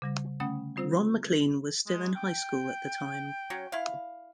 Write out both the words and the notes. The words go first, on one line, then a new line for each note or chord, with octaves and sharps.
Ron MacLean was still in high school at the time.
C#3 G3 A#6
D3 A3 C#4 F#5 D#6
G3 C4 F4 C5 E6
G#3
G5
F#3 C#4
E4 F5